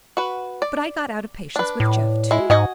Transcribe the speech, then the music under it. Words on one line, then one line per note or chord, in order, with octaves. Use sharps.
But I got out of patience with Jeff, too.
F#4 B4
D5
D4 B4
A2
G#3 E4
G#2 F#4 D#5 G#5